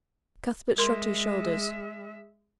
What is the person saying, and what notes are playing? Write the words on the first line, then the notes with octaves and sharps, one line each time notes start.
Cuthbert shrugged his shoulders.
G#3 A#4 E5 C6